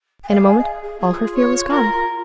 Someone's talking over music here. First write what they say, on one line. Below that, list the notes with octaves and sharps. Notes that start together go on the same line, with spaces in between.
In a moment all her fear was gone.
G#5
G#4 F5
G#5
D#5
F5
G#4
F4 G#4
C#5
A#4